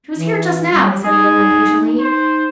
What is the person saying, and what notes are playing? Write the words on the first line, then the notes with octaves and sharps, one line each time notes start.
"She was here just now," he said a little impatiently.
E3
G3
D#4 G#4
D#4 C5